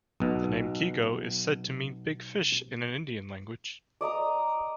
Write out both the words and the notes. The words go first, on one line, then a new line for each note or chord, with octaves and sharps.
The name "Keego" is said to mean "big fish" in an Indian language.
B1 B2
D5 D#5 A#5 D#6